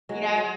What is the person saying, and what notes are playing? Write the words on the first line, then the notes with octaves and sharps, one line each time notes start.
You know?
F#3 G#3
F#3